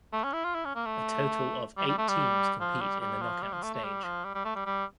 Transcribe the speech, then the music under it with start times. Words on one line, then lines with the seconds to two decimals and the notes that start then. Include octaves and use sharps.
A total of eight teams compete in the knockout stage.
0.13 A3
0.24 C#4
0.33 E4
0.44 F4
0.54 E4
0.65 C#4
0.75 A#3
0.85 A3
1.77 G3
1.88 G3
1.98 A3
2.08 G3
2.60 F3
2.80 G3
3.01 G3
3.21 F3
3.42 G3
3.52 F3
3.63 A3
3.74 A3
3.83 G3
4.03 F3
4.24 G3
4.35 G3
4.45 A3
4.55 G3
4.66 G3